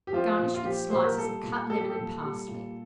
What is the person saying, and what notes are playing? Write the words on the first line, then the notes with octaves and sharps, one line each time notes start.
Garnish with slices of cut lemon and parsley.
G4
F3 F4
A#2
F4
F3 G4
A#2 C5
A#4
G3 A4
A#2
G3 A4
G4
A4
A#2
G3
A#2